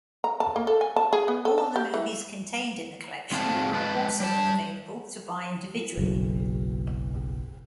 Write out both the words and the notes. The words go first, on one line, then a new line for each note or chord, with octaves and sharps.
All the movies contained in the collection are also available to buy individually.
A#5
A5
A#3
A4
G#5
A5
G#4
B3
A4
A5
G4
E3
G#2 C4 G#4 D5 F5 A5
G#3 B4 A5
G3 A5
F#1 B1